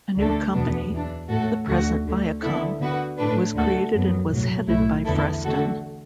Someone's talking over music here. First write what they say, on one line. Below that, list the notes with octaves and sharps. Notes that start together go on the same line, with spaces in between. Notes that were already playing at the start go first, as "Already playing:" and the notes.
A new company, the present Viacom, was created and was headed by Freston.
D2 D3 A3 D4 A4
E2 B2 B3 D4
E2 E3 D4
A2 A3 F#4 A4
D2 D3 A3 F#4
D2 D3 A3
D3 B3 E4 A4
D3 B3 F#4 B4
A2 A3 D4 B4
D2 D3 A3 F#4 A4
F#2 F#3 B3
B1 A2 F#3
B1 A2 A3 E4
E2 D3 B3 E4 A4
D3 A3 F#4 A4